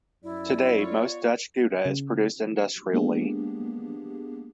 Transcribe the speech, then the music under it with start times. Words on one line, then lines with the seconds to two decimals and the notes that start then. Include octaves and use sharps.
Today, most Dutch Gouda is produced industrially.
0.23 F#2 E4 D5
0.74 B3 F4 C#5
1.85 C#3
2.93 G#3 A#3 B3 D4 G4 G#4